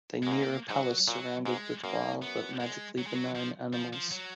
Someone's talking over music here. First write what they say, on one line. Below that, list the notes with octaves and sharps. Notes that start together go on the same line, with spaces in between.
They near a palace surrounded with wild but magically benign animals.
G#3
F#2
G#2 A#3
G#2 F#3
A#2 F#3
G#2 G#3
F#2 A#3
B3
G#3
F#3
G#3
F#3
F3
F3
F3
F#3